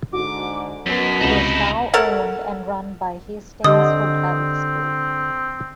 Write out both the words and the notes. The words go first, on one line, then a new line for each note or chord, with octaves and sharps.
It is now owned and run by the Hastings Hotels Group.
G#2 D3 F#4 D6
F#2 B2 B6
C#2 C3 D#4 E4
A4 A#4 C#5 F#5
D3 C4 G4 D#5 D#6